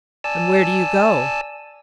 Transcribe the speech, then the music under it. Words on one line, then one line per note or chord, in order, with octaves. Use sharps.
"And where do you go?"
D5 G#5 A5 E6